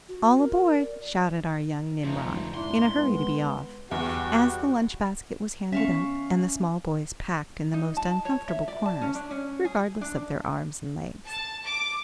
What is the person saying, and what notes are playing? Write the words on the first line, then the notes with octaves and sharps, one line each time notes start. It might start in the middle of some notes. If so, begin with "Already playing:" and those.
"All aboard!" shouted our young Nimrod, in a hurry to be off, as the lunch-basket was handed up, and the small boys packed in the most uncomfortable corners, regardless of their arms and legs.
F#4
A#4
D5
F1 D2 F3 D#4
G#2 D4 E4 C6
G#3 B3
E2 G3 F#4
D#3 B3 C#4 E5 F5 C#6
D#4
A5
C#5
E5
D5
A5
C#4
D4
C#4
G#4
D4
A5
D6